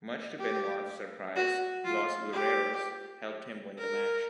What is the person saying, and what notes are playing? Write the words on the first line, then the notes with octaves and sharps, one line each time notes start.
Much to Benoit's surprise, Los Guerreros helped him win the match.
G4
F#4
F4
G4
A#4